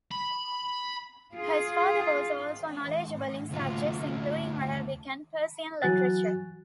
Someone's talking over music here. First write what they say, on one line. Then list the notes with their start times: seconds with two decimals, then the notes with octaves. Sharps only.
His father also was knowledgeable in subjects including Arabic and Persian literature.
0.12 B5
1.35 F4 G#4
3.51 D2 F4
5.82 E3 F#3 F#4 G#5 F#6 A6